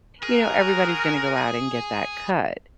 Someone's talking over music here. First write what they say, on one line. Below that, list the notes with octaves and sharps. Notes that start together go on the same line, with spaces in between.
everybody's gonna go out and get that cut.
F#4 G#4 A#4
G#4